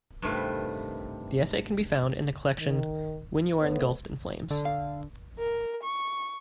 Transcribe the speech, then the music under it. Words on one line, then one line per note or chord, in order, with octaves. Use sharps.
The essay can be found in the collection "When You Are Engulfed in Flames".
G2 C3 D#3 A3 F4 B4
D#3
A3 B3 B4 C#5
D3
F5
A#4
C#6